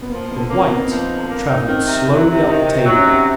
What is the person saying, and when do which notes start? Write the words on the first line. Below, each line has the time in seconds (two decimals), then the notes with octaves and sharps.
The white travelled slowly up the table.
0.02 B3
0.11 F3 A#3
0.31 D3 B3
0.50 A#3 C4
0.70 B3 D#4
0.78 C4
0.87 F3 B3
1.10 D3
1.29 A#3
1.49 D#4
1.68 D#3 C4
1.87 C3
2.07 F#3 E4
2.27 C3
2.46 D#3 D#4
2.66 C3
2.85 F#3
2.98 C#4
3.06 C3